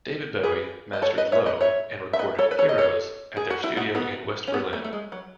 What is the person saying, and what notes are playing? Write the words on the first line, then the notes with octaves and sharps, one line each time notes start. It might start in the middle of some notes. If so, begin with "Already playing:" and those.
David Bowie mastered "Low" and recorded "Heroes" at their studio in West Berlin.
G#4 B4
D#5
A4 C#5
B4 D#5
C#5 E5
B4 D#5
C#5 E5
E5
B4 D#5
A4 C#5
B4
A4 C#5
D#5
A4 C#5
G#4
F#4
E4
D#4 F#4
B3 D#4
C#4
B3
A3
A3
G#3
F#3